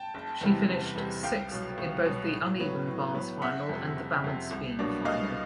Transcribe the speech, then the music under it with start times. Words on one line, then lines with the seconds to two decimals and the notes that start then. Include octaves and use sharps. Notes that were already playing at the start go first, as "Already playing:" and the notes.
She finished sixth in both the uneven bars final and the balance beam final.
Already playing: G5 A5
0.14 F#1
0.41 E2 C3 E3 G3
0.68 F#1
0.96 E2 C3 E3 G3
1.23 C2 F5 G5
1.51 B2 F#3
1.78 C2
2.05 B2 F#3
2.33 A2
2.59 F#3 B3
2.87 A2
3.14 F#3 B3
3.42 F#1 E5 F#5
3.69 F2 C3
3.96 F#1
4.24 F2 C3
4.51 C2
4.79 B2 F#3 A#3 D4
5.05 C2 D#5 F5